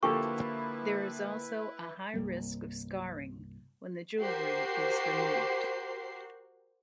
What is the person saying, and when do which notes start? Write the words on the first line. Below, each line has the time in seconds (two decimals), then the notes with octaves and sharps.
There is also a high risk of scarring when the jewellery is removed.
0.03 D3 F3 A#3 E4 G4 A4 B4 C#6
2.14 C2 G2 G3 A#3
4.19 F#4 G4 A#4 C5 C7